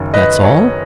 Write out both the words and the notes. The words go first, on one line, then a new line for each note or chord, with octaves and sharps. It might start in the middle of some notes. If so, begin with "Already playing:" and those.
"That's all?"
Already playing: F#1 F#2 D#3
B4 D#5
C#5